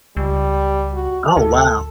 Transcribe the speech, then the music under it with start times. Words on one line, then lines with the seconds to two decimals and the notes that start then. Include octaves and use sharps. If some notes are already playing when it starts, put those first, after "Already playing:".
Oh, wow.
0.17 C#2 G3
0.94 F#4
1.37 D2 A4